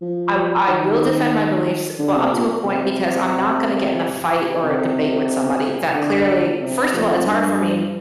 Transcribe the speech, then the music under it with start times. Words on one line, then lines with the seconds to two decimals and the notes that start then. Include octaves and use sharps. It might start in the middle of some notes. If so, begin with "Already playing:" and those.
I I will defend my beliefs, but up to a point, because I'm not gonna get in a fight or a debate with somebody that clearly first of all, it's hard for me
0.02 F3
0.68 D#3
1.99 D3
2.16 C3
2.32 A#2
2.65 C3
4.63 C3
5.94 D3
6.61 C3
6.94 F2
7.26 G2